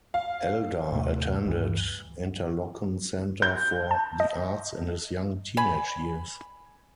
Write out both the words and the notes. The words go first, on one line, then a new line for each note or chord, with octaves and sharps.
Eldar attended Interlochen Center for the Arts in his young teenage years.
F5
D#2 A2 C3 A3
D2 G2 E3
G6
A5
D#5
G#5 B5